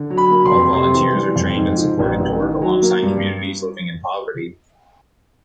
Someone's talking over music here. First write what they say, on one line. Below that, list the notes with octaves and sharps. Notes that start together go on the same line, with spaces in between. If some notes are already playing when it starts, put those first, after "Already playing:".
All volunteers are trained and supported to work alongside communities living in poverty.
Already playing: D3
F#3
B5
A#3
C6
F2
C3 C6
E3
G3
F2
G#2
F3
A1
A1
D#3
F#3
A#3
G2